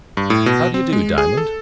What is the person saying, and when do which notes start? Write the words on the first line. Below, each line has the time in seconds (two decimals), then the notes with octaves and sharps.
"How do you do, Diamond?"
0.17 G2
0.30 A2
0.46 B2
0.74 C4
0.93 G#3
1.18 G#4
1.37 A4